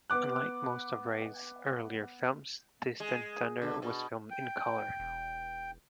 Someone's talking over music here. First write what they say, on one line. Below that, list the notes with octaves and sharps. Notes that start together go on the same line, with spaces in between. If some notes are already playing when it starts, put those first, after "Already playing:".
Unlike most of Ray's earlier films, "Distant Thunder" was filmed in colour.
B3 D6 F#6
G#3
D3
B2
G5
E1